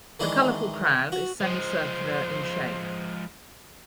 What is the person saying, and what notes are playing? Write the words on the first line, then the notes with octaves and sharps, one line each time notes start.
The colourful crown is semicircular in shape.
D#3 E3 G#3 D4
F#4
F3 G#3 C5